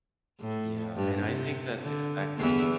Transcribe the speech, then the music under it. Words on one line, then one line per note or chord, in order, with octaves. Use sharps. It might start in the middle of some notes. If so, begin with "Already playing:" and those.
Yeah, and I think that's exactly
A2
G2
C3
D3
E2 E3